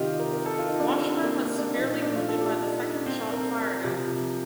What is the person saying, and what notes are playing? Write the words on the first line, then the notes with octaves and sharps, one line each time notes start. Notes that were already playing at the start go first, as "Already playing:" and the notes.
Washburn was severely wounded by the second shot fired at him.
Already playing: C3 D#3 D#4 F4 G4
A#4
A#4
A4
F4
D#4
D4
C4
D4
A#3
C4
D4
A#2 F3 D#4
D#4
D4
F4
A4
G4
D4
D#4
D#4
C4
A#4
C3 F3